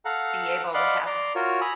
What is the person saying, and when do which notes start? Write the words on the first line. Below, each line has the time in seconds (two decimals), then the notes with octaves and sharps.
be able to have a go
0.05 A4 F5 F#5 A#5
0.74 D5 D#5 F5 F#5 B5 C6
1.06 D5 A#5 C6
1.35 F4 F#4 A#4 C#5
1.61 G#5 A#5 B5 D#6 E6